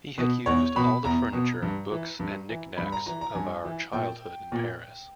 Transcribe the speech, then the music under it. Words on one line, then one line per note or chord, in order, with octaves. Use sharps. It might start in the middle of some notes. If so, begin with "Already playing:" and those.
He had used all the furniture, books and knick-knacks of our childhood in Paris.
B2
E2 C#5
B2 B5
E2 A#5
B2
G2
E3
G2
E3
G2 B5
A#5
E3 A#5
A#5
G2 G#5
E3
A#2 G5
A#2